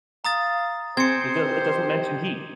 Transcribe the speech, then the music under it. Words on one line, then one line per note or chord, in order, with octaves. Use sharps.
It does it doesn't mention heat.
F5 A#5 D#6 A6
C4 G#4 C5 G#6 C#7
G4